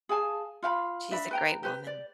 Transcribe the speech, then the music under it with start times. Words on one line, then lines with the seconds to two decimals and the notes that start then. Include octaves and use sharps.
She's a great woman.
0.09 G#4 F5 G#5 A5
0.63 F4 F5 G5 B5
1.11 D4 E5 B5
1.31 B4 G5 A#5
1.63 G4 B4
1.87 D5